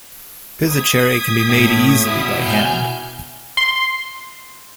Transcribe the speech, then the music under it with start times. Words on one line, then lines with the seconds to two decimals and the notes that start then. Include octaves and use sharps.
Pizzoccheri can be made easily by hand.
0.68 D#6 G#6 B6
1.49 A2
2.06 B2 E4
2.40 G#5 F6 G6
3.57 C6